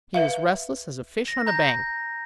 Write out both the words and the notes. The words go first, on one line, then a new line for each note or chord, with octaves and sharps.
He was restless as a fish on a bank.
B4 E5 F5
A#6
A#5 G6 A#6